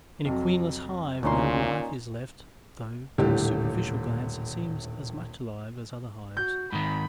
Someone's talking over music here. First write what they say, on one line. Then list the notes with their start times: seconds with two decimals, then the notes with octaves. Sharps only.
In a queenless hive no life is left though to a superficial glance it seems as much alive as other hives.
0.25 F2 C3 F#3
1.23 D2 A#2 C#4 D#4 C6
3.18 D#1 A2 D3 G4
6.37 F#4 G6
6.72 G#2 D#3 B5